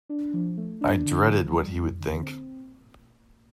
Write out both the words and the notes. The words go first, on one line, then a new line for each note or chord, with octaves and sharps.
I dreaded what he would think.
D4
F3
A3
D4
D3
F3
G3
F2
D3
C4